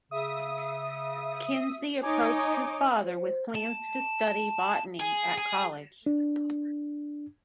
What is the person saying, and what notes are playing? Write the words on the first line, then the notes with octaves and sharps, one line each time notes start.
Kinsey approached his father with plans to study botany at college.
C#3 E5 D#6
D#4 C#5 D#5 G#5 D6
C5
A5
G#4
G#4
D4